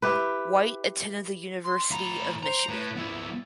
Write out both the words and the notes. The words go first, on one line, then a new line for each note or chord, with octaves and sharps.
White attended the University of Michigan.
E4 G4 B4
C6
A2 A#5 B5
C5 A#5
A2 B4
F3 B3 E4